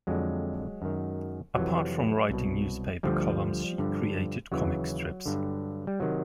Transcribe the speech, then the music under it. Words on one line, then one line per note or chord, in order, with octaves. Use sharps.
Apart from writing newspaper columns she created comic strips.
F2 D3 F#3 G#3
F#2 D#3
F2 C3 E3 F#3
C2 B2
D2 D3 F3 G3
G2 D3
D#2 C#3 E3 F#3
G2 D3
G3
C3 D#3 F#3